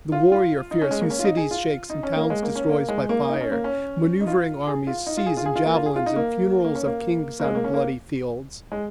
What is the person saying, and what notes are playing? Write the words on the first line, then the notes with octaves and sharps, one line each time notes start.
The warrior fierce, Who cities shakes and towns destroys by fire Maneuvering armies sees, and javelins, And funerals of kings and bloody fields.
F4
F4
D#4
C#4
G#3
A#3
C#4
F4
D#4
G#4
F4
D#4
C#4
A#3
G#3
A#3
C#4
A#3
G#3
A#3
D#4
C#4
A#3
C#4
D#4
F4
G#4
F4
D#4
F4
G#4
F4
G#4
F4
A#3
F4
G#4
F4
D#4
A#3
A#3
C#4
A#3
A#3
G#3
A#3
C#4
A#3
G#3